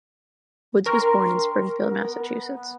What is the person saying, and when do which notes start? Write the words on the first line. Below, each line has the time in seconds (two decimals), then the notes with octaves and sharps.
Woods was born in Springfield, Massachusetts.
0.86 D4 A#4 G5 A#5 C6 C#6 F6
1.83 B3